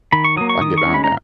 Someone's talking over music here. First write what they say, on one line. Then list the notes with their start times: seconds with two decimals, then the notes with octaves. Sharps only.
I can get behind that."
0.12 D#3 B5
0.24 C#6
0.37 F#3 A#3 D#6
0.49 C#6
0.61 D#3 D#6
0.78 C#6
0.86 G#3 C#4
0.94 B5
1.04 A#5